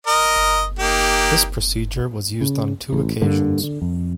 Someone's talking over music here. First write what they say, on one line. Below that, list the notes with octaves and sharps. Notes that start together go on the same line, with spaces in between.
This procedure was used on two occasions.
A#4 D#5
A#3 D#4 G4
C#3
A1
G2 D3 A#3
D3
F2